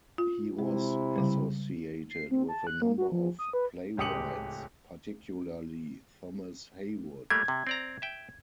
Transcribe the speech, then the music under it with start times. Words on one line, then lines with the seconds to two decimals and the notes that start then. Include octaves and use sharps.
He was associated with a number of playwrights, particularly Thomas Heywood.
0.18 F4
0.59 C3 G#3 E4
1.16 C#3 G3
2.10 C7
2.31 C4
2.49 A5
2.67 F#6
2.82 A#3
2.98 F#4
3.12 F3
3.39 D#6
3.53 B4
3.97 D1 C#2 G4 D#6 C#7 F#7
7.30 G3 A3 A#3 G#6
7.48 C3
7.67 C4 D5 A#5
8.02 E5 G5